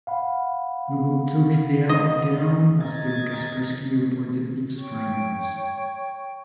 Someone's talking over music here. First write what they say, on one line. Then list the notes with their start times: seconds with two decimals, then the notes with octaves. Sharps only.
Google took the app down after Kaspersky reported its findings.
0.07 F5 F#5 B5
1.89 D#5
2.80 D#5 A#5 G#6 A6
4.77 C#5 G5 C#6